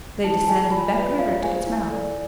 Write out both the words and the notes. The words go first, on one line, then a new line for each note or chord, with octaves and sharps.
They descended Back River to its mouth.
E4 A5
A5
G#4 D5 G#5
F4 B5
B4 D5 E5
F4 F5
G#4 C5 G#5
E4
A4 D5